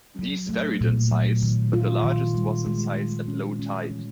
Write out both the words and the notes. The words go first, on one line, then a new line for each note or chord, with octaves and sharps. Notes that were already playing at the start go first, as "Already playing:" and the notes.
These varied in size, but the largest was in size at low tide.
F#3
A3
A#2
F#3
D#3
F4
D#3
G3
G#3
G#3
C#4
C#4
E3